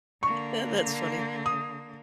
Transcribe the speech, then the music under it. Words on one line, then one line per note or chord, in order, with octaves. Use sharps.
Yeah, that's funny.
D3 A#3 C#6
D#6